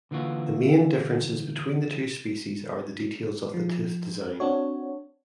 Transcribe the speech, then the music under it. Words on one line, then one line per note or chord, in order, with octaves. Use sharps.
The main differences between the two species are the details of the tooth design.
D3 E3 A#3 F4 F#4
F3
C4 D4 F#4 C#5